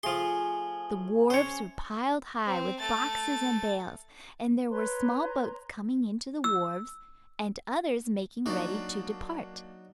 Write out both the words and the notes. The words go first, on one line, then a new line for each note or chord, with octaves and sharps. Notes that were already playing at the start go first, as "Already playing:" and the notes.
The wharves were piled high with boxes and bales, and there were small boats coming in to the wharves, and others making ready to depart.
F3 A3 G#4 C6
C#4 C5 C#5
C4
A3 A6
B4 C#5 A#5 C6
E6
F#3 A#3 D4 D#4 D5